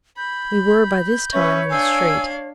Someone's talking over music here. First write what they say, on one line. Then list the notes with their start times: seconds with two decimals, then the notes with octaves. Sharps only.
We were by this time in the street.
0.17 B5 G6
1.33 C#4 B4 C#5 E5 C#6
1.70 D4 F5 G#5 E6